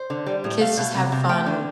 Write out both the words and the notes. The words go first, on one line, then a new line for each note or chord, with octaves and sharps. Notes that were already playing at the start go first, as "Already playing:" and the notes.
the kids just have fun
Already playing: C5
D3
G3
A2
A3 F5
B2
C3
C3
A3 G5
D3